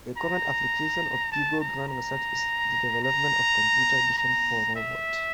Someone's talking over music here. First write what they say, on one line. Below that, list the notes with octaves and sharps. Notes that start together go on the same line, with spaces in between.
A current application of figure-ground research is the development of computer vision for robots.
A#5
A5
A#5
A#5
A#5
A#5
E5